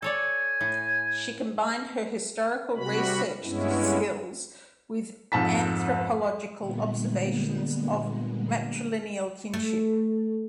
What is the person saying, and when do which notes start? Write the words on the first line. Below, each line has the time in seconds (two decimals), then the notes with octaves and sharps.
She combined her historical research skills with anthropological observations of matrilineal kinship.
0.02 A4 C#5 D5 G#5
0.61 A2
2.77 C3 G3 F#4 B5
3.43 G2 G#3 B3 C#4 E4
5.32 F2 G#2 A5 B6
6.60 A#2 D3 G3 G#3 A#3 B3
9.54 A3